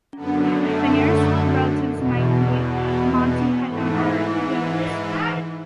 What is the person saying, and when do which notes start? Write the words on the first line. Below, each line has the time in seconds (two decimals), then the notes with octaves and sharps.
The nearest relatives might be Monty Python, or The Goons.
0.16 F#2 D3 B3
0.61 A3
1.93 E2 B2
2.81 B3
3.25 B3
3.69 G#2 E3 A3